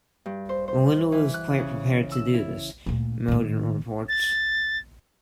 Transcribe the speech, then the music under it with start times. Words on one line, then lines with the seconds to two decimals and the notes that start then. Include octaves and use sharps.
"Melinda was quite prepared to do this," Modin reports.
0.26 G2
0.49 C5
0.68 C5
1.12 E3
1.34 F#6
1.58 C#3
2.11 E6
2.34 E4
2.86 D2 A#2
3.28 A2 D#3
4.09 A6